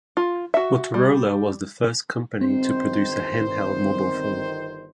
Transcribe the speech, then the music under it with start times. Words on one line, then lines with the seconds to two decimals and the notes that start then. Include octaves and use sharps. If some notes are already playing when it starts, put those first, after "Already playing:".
Motorola was the first company to produce a handheld mobile phone.
0.17 F4
0.54 F#4 E5
0.94 G3
2.41 G1 D#3 C4 C5